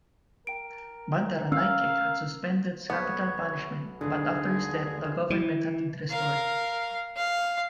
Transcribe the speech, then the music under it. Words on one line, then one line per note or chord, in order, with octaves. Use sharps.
Bandaranaike had suspended capital punishment, but after his death the government had it restored.
A#4 G5 D7
C#4 F5 E6
B1 B3 C#5
D#2 B2 D3 G#4
E3
A#4 F5
F5